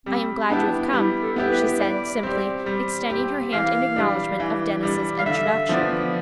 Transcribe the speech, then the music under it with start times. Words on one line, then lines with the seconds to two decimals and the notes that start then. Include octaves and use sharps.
"I am glad you have come," she said, simply, extending her hand in acknowledgment of Denis's introduction.
0.06 G3 C4
0.50 B3 D4 E4 G4
0.93 G3 E4
1.22 A4
1.36 B3 E4 G4
1.50 B4
1.80 G3 D5
2.23 C4 G4
2.66 G3
3.10 C4 G4
3.53 E3 F5
3.96 G3 D4
4.40 E3
4.83 G3 D4
5.19 F5
5.26 D3 E5
5.69 F3 B3 D4